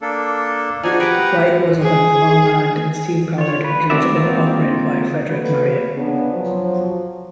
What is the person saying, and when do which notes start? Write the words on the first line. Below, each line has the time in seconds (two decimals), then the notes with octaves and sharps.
The flight was of an unmanned, steam powered dirigible operated by Frederick Marriott.
0.02 A#3 D4 A4
0.83 F3 D4 D#4 F#4 G#4 G#5
1.00 G4 B4 F#5 G5 A#5
1.82 G#4
3.38 F4 C#5
3.64 B4
3.90 A3 C4 F#4 D5 E5
4.15 G#3 A#3 C4 F4 F#4
5.29 A#3 F#4 A4 B4
5.95 C#3 B3 D4
6.31 F3 F#3 C5